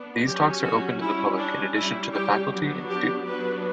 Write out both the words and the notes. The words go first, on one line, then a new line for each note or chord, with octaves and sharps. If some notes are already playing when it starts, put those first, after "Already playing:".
These talks are open to the public in addition to the faculty and students.
Already playing: B3 D4
F#3 C#4 G4
F#4
G3 C#4 E4
D4
G3 C#4 E4
G4
F#3 B3 D4
G4
F#3 B3 D4 B4